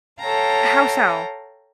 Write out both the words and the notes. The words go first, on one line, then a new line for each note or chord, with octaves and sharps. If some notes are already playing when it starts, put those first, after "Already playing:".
How so?
A4 C#5 F5 G5 A5 A#5